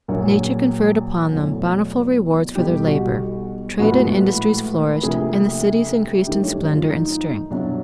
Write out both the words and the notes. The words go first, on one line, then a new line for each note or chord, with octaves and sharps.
Nature conferred upon them bountiful rewards for their labour; trade and industries flourished, and the cities increased in splendour and strength.
A#1 A#2 F#3 A#3
E2 B2 F#3 A3
B1 B2 G3 G4
F#4
A#1 A2 F3 G#3 B3 F#4
D2 C3 F3 A#3 G#4
G2 D#3 F#3 A3 G4
C#4
D4
F4
D#4
C2 B2 F#3 D4